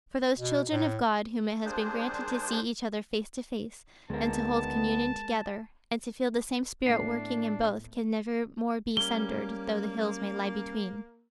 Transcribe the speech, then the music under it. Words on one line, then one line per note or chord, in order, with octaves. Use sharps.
For those children of God whom it has been granted to see each other face to face, and to hold communion together, and to feel the same spirit working in both can never more be sundered though the hills may lie between.
B2
A2
G3 A#3 D4 G#4 C5
D2 A#2 D3 D#3 G#3 B3 A#4 A5
A2 A3 B3 D4 C7
G3 A#3 C#4 G7